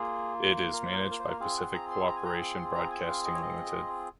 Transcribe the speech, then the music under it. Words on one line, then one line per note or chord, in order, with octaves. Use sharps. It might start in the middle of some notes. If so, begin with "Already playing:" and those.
It is managed by Pacific Cooperation Broadcasting Limited.
Already playing: A#3 F4 G#4
A#4
C5
A#4
C5
A#4
C5
A#4
C4 F4 G#4 F5
F#5
C6
A#5
C6
A#5
G#5
A#5
C6
A#5
G#5
F5
D#5
C#5
D#5